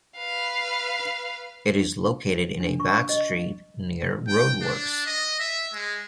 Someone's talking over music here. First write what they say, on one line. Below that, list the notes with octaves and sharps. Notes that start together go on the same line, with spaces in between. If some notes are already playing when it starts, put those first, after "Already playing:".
It is located in a back street, near roadworks.
B4 F5
D4
C#6
D#5
G5
D4
D#5
E5
G#3